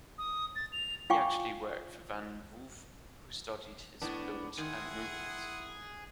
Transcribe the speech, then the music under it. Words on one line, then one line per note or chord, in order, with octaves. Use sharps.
He actually worked for Van Wouw who studied his build and movements.
D#6
A6
F7
F4 F5 G5 G#5 C#6 D6
A2 B3 D4
D#3 E4 G#4 F#5 C6